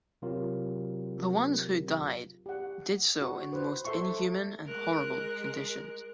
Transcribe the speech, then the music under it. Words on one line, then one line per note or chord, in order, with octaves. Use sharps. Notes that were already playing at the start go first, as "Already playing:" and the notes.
The ones who died did so in the most inhuman and horrible conditions.
C3 F#3 C4 F4 G4 A#4
G4 F#5
F#4 C#6
B4 C5
A4 C5 E5 C6 C#6
G#3 A#4 F#6